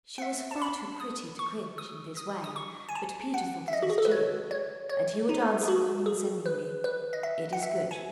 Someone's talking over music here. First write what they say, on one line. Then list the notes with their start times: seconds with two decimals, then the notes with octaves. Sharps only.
She was far too pretty to cringe in this way, but Peter thought it his due, and he would answer condescendingly, 'It is good.
0.18 F#5
0.22 E5
0.51 A5
0.62 B5
1.00 D#6
1.39 C#6
1.78 D#6
2.17 D#6
2.44 D#6
2.56 C#6
2.89 G#5
2.95 A5
3.34 F#5
3.68 E5
3.73 D#5
3.82 F#4
3.90 G#4
3.98 A4
4.05 B4
4.12 C#5
4.51 C#5
4.89 C#5
5.29 D#4
5.62 G#4
5.68 F#4
6.06 G#4
6.46 B4
6.84 B4
7.13 D#5
7.23 E5
7.53 F#5
7.63 E5
7.91 G#5